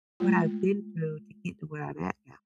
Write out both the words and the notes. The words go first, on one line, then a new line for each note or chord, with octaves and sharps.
what I've been through to get to where I'm at now.
G#3 A3 F4